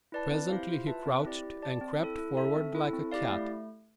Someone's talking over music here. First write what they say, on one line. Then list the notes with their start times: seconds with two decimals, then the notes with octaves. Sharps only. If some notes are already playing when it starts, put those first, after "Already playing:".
Presently he crouched and crept forward like a cat.
0.12 E4 B4 D5 A5
0.31 C4
0.50 E4 G4 C5 F5
0.68 F4
0.87 B4 E5 A5
1.06 C4
1.25 E4 G4 D5
1.43 G4
1.62 D5 A5
1.81 C4
2.00 E4 A4
2.18 E4
2.37 A4 E5
2.56 C4
2.75 E4 A4
2.93 C4
3.12 E4 G4 D5 F5
3.31 A3